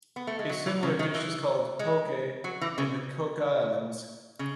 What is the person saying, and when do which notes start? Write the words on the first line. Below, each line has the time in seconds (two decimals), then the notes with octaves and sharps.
A similar dish is called "Poke" in the Cook Islands.
0.16 B3
0.27 A3
0.39 G#3
0.49 F#3
0.66 E3
0.83 C#3
0.99 D#3
1.15 E3
1.79 G#3
2.44 F#3
2.61 E3
2.78 C#3
4.39 C#3